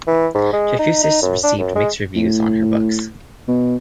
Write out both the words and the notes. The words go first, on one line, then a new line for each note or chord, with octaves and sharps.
Trefusis received mixed reviews on her books.
E3
G#2
G#3
D#4
D#4
F#2
D4
F#2
G#3
A2
B2